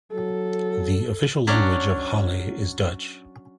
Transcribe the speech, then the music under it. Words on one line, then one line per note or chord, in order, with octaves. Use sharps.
The official language of Halle is Dutch.
F#3 A4
F#3 C#4 D4